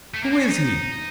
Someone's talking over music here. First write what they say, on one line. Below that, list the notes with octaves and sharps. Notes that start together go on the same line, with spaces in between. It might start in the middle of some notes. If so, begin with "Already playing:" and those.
"Who is he?"
A3
A#3
C4
C#4
D#4